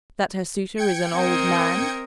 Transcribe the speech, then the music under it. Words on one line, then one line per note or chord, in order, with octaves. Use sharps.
That her suitor is an old man?
G5 G#6 C#7
C4 A#4 D#5